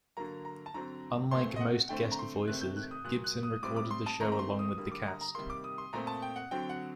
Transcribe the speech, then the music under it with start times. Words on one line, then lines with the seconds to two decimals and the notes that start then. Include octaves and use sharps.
Unlike most guest voices, Gibson recorded the show along with the cast.
0.17 D3 F#3 A#3 A#5
0.45 A#5
0.66 A5
0.74 D3 F#3 C4 A#5
1.31 A#2 A3 C4 C6
1.56 D#5
1.61 F#5
1.89 D3 A3 C4 G5
2.12 A#5
2.19 C6
2.47 C3 D#3 A3 C4 F#6
2.61 G6
2.77 F#6
2.91 D#6
3.04 A#2 F#3 A#3 F#6
3.24 F#6
3.43 D#6
3.63 A2 G3 C4 D6
3.76 D6
3.91 C6
4.06 A5
4.20 D#3 A3 C4 A#5
4.32 A#5
4.39 C6
4.59 D#6
4.78 D3 G3 A#3 D#6
4.92 D6
5.07 A#5
5.21 A#5
5.35 C3 D#3 G3 A#3 C6
5.50 D6
5.64 D#6
5.78 C6
5.93 A#2 A3 C4 A#5
6.07 A5
6.22 G5
6.36 F#5
6.51 D3 F#3 C4 G5
6.69 F#5